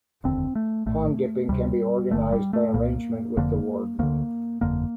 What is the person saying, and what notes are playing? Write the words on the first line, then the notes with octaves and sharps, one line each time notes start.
Pond dipping can be organised by arrangement with the warden.
F1 D#2 D3 C4
A3
A#1 A2 A3
D2 C3 G3
G1 G2 D3 A3
G3
A3
C2 A#2 A#3
F1 F2 D3 A#3
D2 D3 A#3
G1 F2 D3 A#3